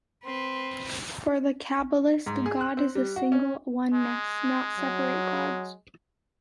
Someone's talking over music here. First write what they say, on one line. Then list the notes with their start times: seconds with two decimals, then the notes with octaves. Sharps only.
For the Kabbalist, God is a single oneness, not separate "gods".
0.25 C4 B4 C6
2.26 G#2
2.46 G#4
2.61 F#6
2.77 C4
2.95 G3
3.16 F#4
3.32 C#4
3.94 G#3
4.78 F#3